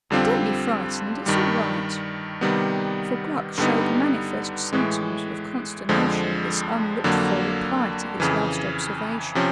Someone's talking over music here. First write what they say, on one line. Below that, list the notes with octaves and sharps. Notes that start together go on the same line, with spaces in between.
"But don't be frightened; it's all right"--for Gluck showed manifest symptoms of consternation at this unlooked-for reply to his last observation.
F2 D3 G3 C4 F4
G2 D#3 G3
C3 D#3 G3 B3
G2 D3 G3 B3 D#4
A2 E3 G#3
F2 D3 F3 G#3
F2 D3 F#3 A#3
F2 C#3 E3
C3 F3 C#4